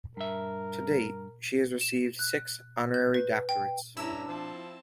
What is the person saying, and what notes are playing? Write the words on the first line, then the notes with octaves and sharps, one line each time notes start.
To date she has received six honorary doctorates.
G2 A#4 E5
E7
F#6
G6
B4
G5
G2 C#4 D4 E4 A#5 E6 E7
F3 C4 A5